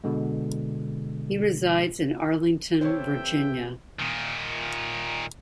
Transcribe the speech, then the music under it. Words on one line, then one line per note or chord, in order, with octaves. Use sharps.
He resides in Arlington, Virginia.
B2 D3 G#3
C3 E3 F4 A4 C5 C#5 E5 G5
A#2 D#3